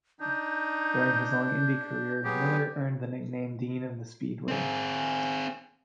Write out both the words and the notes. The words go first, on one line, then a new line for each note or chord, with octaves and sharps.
During his long Indy career, Miller earned the nickname Dean of the Speedway.
D4 D#4 G6
F#3 B3 G4 G#4
C4 G#4